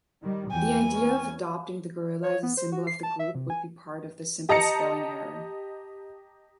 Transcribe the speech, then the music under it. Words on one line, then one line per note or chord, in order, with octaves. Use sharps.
The idea of adopting the gorilla as a symbol of the group, would be part of a simple spelling error.
D#3 G3
E2 E3 G5 G#5
C#4
C#5
B3
C5
F#4
C7
A5
E5
C3
G#5
G4 D#5 A5 A#5 A#6 C#7